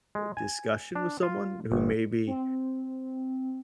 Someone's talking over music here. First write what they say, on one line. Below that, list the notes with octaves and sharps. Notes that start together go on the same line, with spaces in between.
uh, discussion with someone who maybe
G#3
G#5
D4
F4
G1
C4